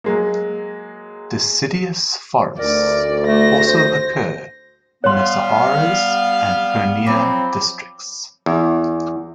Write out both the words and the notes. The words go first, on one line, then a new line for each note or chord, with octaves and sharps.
Deciduous forests also occur in the Saharsa and Purnia districts.
F#3 G#3 A#3
D2 A#4 D5
A3 A#6
C5
G3 B3 C#5 F5 C6
F3 F#3 C4 B5 D6
E2